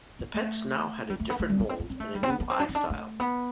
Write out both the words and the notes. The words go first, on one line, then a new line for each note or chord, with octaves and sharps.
The pets now had a different mold and a new eye style.
B3
A3
G3
A3
B3
A3
G3
B3
C4
B3
C4
A3
G3
C4
B3
B3
C4
D4
C4
D4
A3
B3